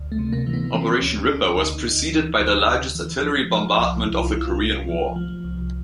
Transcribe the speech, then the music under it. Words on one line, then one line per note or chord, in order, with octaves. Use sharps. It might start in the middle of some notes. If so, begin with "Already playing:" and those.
Operation Ripper was preceded by the largest artillery bombardment of the Korean War.
Already playing: D2
A3
C3
A#3
E3
B3
E3 C4
D2 C#4
D2 D4
D2 D#4
D2
E3
D2
D2
E3
F3
F3
C2
C2 E4
F4
E4
C2
F4
C2
F3
F3
C2